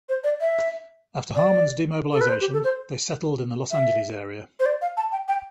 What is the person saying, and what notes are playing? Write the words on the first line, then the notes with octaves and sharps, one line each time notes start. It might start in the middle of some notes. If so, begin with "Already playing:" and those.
After Harmon's demobilization, they settled in the Los Angeles area.
C5
D5
E5
D5
A4
B4
C5
G4
A4
C5
E5
C5
D5
F5
A5
G5
G5